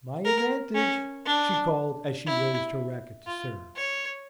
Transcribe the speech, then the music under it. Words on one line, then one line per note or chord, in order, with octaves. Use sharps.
"My advantage!" she called as she raised her racket to serve.
A#4
C#4
D4
E4
F4
C#5